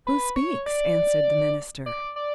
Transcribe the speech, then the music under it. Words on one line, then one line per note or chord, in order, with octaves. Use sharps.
"Who speaks?" answered the minister.
B4
C#5
D5
D5
D5